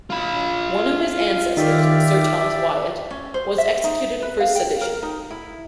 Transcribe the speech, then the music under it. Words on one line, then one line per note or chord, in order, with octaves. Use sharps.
One of his ancestors, Sir Thomas Wyatt, was executed for sedition.
F4 B5
D#3 G4 D5 E5
C#4
C5
E5
D#4
B4
F5
G5
A#4
D#4
E4